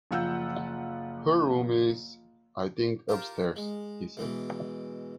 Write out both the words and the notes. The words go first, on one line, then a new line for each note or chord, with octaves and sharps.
"Her room is, I think, upstairs," he said.
F#1 F3 F4 F#5 E6 G6
F4 G4 A#4 A5
G#3
B2 E3 G#3